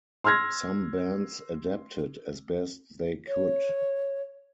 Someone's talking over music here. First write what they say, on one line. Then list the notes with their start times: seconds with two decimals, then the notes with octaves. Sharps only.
Some bands adapted as best they could.
0.24 C6 E6 F6 G#6 A#6
3.28 C#5